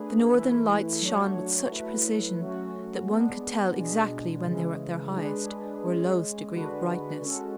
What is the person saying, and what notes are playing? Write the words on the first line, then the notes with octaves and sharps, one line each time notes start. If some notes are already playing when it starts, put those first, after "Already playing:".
The northern-lights shone with such precision that one could tell exactly when they were at their highest or lowest degree of brightness.
Already playing: A3 D4 G#4 B4
E3 A3 E4 B4
F#3 A3 D4 F#4 C#5
F#3 A3 E4 B4
F#3 A3 C#4 F#4
G#3 B3 D4
B2 G#3 D4
C#3 E3 G#3
G#3 D4 G#4 B4
G#3 C#4 G#4
D3 G#3 D4 F#4 B4
G#3 C#4 F#4 A4